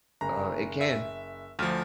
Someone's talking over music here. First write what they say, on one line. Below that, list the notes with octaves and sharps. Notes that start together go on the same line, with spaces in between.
Uh, it can.
F#1 A#5
E5
D2 F3 F6